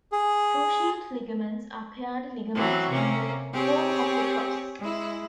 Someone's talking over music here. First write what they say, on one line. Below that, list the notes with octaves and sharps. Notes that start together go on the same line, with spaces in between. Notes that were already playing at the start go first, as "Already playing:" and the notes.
Cruciate ligaments are paired ligaments in the form of a cross.
G#4
E3 F#3 C4
C3 A#3 C#4
C4 G4 G#4 C#5
G#3 E4